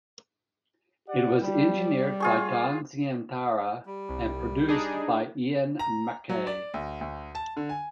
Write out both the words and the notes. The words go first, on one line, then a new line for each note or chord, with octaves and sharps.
It was engineered by Don Zientara and produced by Ian MacKaye.
G4 D5 F#5
G3
F4 G#4 C#6
G3
C2
D4 D#4 G#4
A#5
F#3
D5
D2
D2
A5
D3
G#5